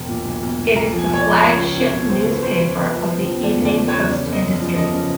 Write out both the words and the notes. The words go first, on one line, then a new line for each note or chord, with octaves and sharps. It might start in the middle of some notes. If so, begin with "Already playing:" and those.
It is the flagship newspaper of the Evening Post Industries.
Already playing: E1
A#2
B1
B1
A#2
B1 A#5
F3
G#5
B1 C#5
F3 D5
C#2 C#5
C#2
C#2
B2
C#2 C5
B2
B4
C#2 C5
B2
F1 B4
F3
F3 C5
F3
E2 D5
C#3
D5
C#3
C#5
E2
C#3 D5
F#1
D#5
F#2
F3
F3 D#5
C#3